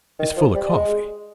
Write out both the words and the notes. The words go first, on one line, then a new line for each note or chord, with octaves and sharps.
It's full 'a coffee.
D#3
F3
G3
G#3